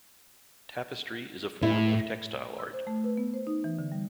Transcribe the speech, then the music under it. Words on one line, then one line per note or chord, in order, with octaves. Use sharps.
Tapestry is a form of textile art.
A2 E4
E6
C5
A3
B4
B3
C5
D#4
E3
D3
G3